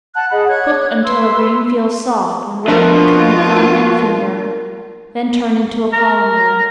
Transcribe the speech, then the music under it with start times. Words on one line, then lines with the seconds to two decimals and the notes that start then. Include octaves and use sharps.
Cook until a grain feels soft when rubbed between the thumb and finger, then turn into a colander.
0.15 F#5 A5 F#6
0.31 G#4 D#5 F#5 B5
0.48 C#5 F#6 G#6
1.04 B4 C6 E6
2.68 B2 F3 D4 F4 A#4
5.93 A#4